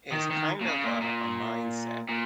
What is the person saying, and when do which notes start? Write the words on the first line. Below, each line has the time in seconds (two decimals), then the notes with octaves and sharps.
is kind of, uh, a mindset.
0.12 D#3
0.30 D#3
0.61 A#2
0.66 C#3
0.84 A#2
1.01 A#2
2.09 A#2